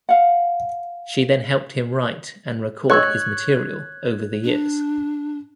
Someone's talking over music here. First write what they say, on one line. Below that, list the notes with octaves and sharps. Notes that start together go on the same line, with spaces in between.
She then helped him write and record his material over the years.
F5 F#5
C#5 C#6 E6 F#6 G#6
D4